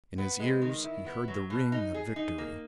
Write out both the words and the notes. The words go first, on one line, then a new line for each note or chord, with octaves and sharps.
In his ears, he heard the ring of victory.
B3
G#3
D#3
E4
B3
F#3
B2
D#4
G#4
D#4
A#3